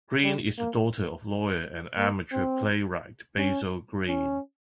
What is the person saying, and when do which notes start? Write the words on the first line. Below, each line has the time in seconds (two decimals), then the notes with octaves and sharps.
Greene is the daughter of lawyer and amateur playwright Basil Greene.
0.23 G3
0.59 A#3
1.97 A#3
2.33 C4
3.38 C#4
4.08 C#4